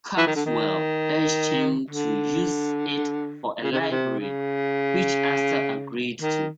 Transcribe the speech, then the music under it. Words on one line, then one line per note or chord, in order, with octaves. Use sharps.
Cogswell urged him to use it for a library, which Astor agreed to.
E3
D#3
D3
D#3
D3
C#3
C3
C#3
C3
C#3
D#3